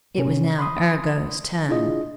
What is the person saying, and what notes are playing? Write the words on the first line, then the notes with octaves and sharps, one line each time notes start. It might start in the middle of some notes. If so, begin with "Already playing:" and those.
It was now Arago's turn.
C3 C#4
B5 C6 D#6
D4 E4 F4 G#4 D#5